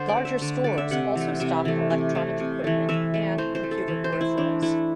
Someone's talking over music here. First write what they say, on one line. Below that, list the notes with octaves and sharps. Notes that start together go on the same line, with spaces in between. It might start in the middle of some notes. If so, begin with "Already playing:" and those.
Larger stores also stock electronic equipment and computer peripherals.
Already playing: D3 C5
D5
A3
E5
D3
A3 D5
E5
C3 F#5
E3 A3
C3 E5
E3 A3
C3
E3 A3
C3
E3 A3
E3 E5
A3
E3 C5
C5
A3
A4
E3
C5
A3
E4
E3 D4
A3 E4